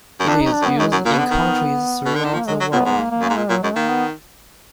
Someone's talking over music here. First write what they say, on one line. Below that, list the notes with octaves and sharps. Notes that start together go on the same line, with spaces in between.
It is used in countries throughout the world.
F#2
F2 D4
F#2 D#4
D4
F#2
B3
F#2 G#3
F#2 F#3
A#2 A#3
B2
D3 B3
D#3
B2
D3
D#3
F3 A#3
F#3 G#3
F#3
A#2 B3
G#2 B3
A#3
A#3
F#2
A#3
G#2
A#2 G#3
A#2 F#3
F#2 G#3
D#3 A#3
B3